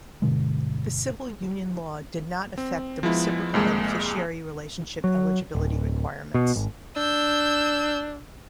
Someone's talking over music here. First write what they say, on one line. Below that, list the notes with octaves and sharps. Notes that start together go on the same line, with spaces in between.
The civil union law did not affect the reciprocal beneficiary relationship eligibility requirements.
G1 B2 D3 G#3
C4
F3 G#3 B3 E4
C2 F2 G#3 A#3
F#3
D1
B2
G#1
D4 E6 G6